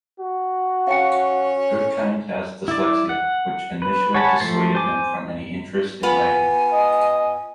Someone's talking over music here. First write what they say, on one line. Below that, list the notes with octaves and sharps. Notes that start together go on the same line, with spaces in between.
Goodkind has dyslexia, which initially dissuaded him from any interest in writing.
F#4
C#4 F5 G5
E4 D5
F#5
B4
C#5 F#5 G#5 A5 B5
F3 A3 C5 A5
C5 G#5 D6
B3 F4 B4 G#5
D#5